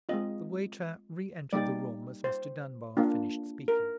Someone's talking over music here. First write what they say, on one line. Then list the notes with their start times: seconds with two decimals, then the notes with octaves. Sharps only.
The waiter re-entered the room as Mr. Dunbar finished speaking.
0.09 G#3 C4 F4 D#5
1.53 G3 A#3 D#4 G4 D5
2.24 C5
2.97 A#3 D4 F4
3.68 A#4